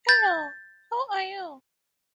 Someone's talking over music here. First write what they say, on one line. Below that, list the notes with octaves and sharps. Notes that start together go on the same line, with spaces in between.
Hello, how are you?
G6 A6